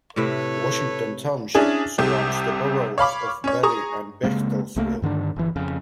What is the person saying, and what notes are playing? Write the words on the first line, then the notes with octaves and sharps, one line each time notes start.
Washington Township surrounds the boroughs of Bally and Bechtelsville.
A2 C3 E4 A4 B4 C#5
C#4 D4 E4 G#4
C2 C3 G4
C#5 F5 B5 D6
C#4 C#5
G#4 A#5 C#6 D#6
C#3 G#3 A#3 C4
C2 A3 A#3
G2 D3 D#3 D4
G1 E3
F2 C#3